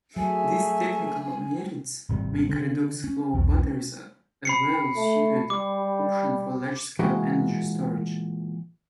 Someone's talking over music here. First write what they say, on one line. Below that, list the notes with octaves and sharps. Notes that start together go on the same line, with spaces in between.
These technical merits make redox flow batteries a well-suited option for large-scale energy storage.
F#3 A3 G#4 E5 G#5
G#1 C3 G3
D3
C#4
B1 E2
C#4
B5 C7 C#7
A3
G3 D6
A#2 E3 G#3 F#4 G5